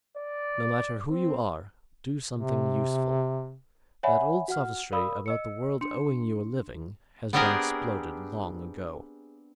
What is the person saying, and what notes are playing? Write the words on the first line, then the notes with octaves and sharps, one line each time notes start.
No matter who you are do something useful. That old sophistry about the world owing you a living has been exploded long ago.
D5
C4
C3
C#5 D5 E5 F#5 G#5 B5
F#4 F#5 F6
A#4 D5 F5 B5 D#6 E6
D#5 E6 C#7
D4 C6 C#7
B3 C4 D4 G4 G#4 A#4